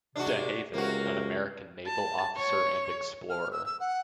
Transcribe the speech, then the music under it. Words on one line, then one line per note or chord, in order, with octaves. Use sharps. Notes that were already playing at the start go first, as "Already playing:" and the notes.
De Haven, an American naval officer and explorer.
G#2 C3 D4 F#4
C#2 C3 A#3 F#4 A#4
A5
C#5
F6
E6
E6
F#5